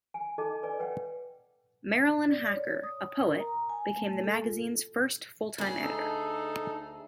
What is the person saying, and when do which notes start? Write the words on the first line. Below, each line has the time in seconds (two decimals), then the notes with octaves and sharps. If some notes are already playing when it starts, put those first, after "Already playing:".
Marilyn Hacker, a poet, became the magazine's first full-time editor.
0.14 G#5
0.38 D#4 A4 D#5 A5 D6
0.63 B4 D5 D#5 G#5
0.79 B4 C#5 F#5 G5
2.27 D5
2.52 C#5
2.83 D#6
3.26 A#4
3.40 A#5
3.70 G#5
3.96 A3
4.24 A4
4.43 F4
5.58 D2 G#4
5.83 D#4 A4